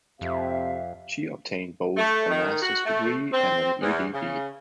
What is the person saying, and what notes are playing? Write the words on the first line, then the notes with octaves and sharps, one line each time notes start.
She obtained both a master's degree and an Ed.D.
F2 C3 E5 F5
A3
D#3
F#4
A3
C4
E2
C#3